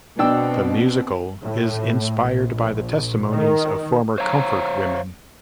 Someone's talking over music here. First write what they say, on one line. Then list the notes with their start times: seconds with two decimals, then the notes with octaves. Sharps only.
The musical is inspired by the testimonies of former comfort women.
0.19 B2 C4 D4 G5 E6
1.42 A2
2.24 A#1
3.31 D#3
4.18 C5 C#5 F5 A#5